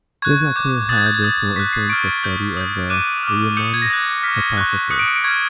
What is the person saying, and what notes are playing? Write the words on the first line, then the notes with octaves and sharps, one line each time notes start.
It is not clear how this will influence the study of the Riemann hypothesis.
C#6 F#6 G#6
D6 G6
D#6 F#6 A6
G#6
G6
G#6
D#6 G6 A6
C#6 F#6 B6
C7
C#6 F6 D7
D#6 G6
D#6 G6
D6 F#6 D#7
D6 F6
D#6 G6 C#7
G#6
A#6
D#6 F#6
C#6 F6 B6
C#6 F#6
D#6 F#6 C#7
D7
C#7
D7
C#6 F6 G#6